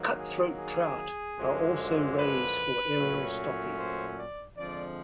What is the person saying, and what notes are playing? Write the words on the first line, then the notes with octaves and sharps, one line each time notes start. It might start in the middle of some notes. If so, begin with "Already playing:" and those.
Cutthroat trout are also raised for aerial stocking.
Already playing: D#3 F#3 A#3
G#4
G#4
F#2 D3 F3 G#3
B4
A#2 F#3 A3 C#4
C5
D5
D3 F3 G#3 C4 D5